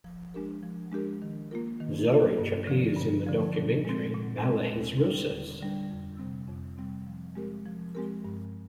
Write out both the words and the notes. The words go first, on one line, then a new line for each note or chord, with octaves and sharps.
Zoritch appears in the documentary "Ballets Russes".
F3
G#3 D4 G4 A#4
F3
G#3 D4 G4 A#4
D#3
A#3 F4 A#4
D#3
A#3 F4 A#4
G2
D3 F3
G2
D3 F3
A#2
G#3 C4
A#2
G#3 C4
D#2
D3 G3 D4
D#2
D3 G3 D4
F2
C3 G3 C4
F2
C3 G3 C4
F3
G#3 C4 G4 A#4
F3
G#3 C4 G4 A#4
G2